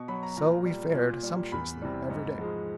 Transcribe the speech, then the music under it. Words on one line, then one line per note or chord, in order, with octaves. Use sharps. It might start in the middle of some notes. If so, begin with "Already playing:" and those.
So we fared sumptuously every day.
Already playing: B2 C#6
F#3 B5
A#5
A#2 A#5
G3
A#2
G3
E2 B5
C3 E3 G3
G#2
F3 G#3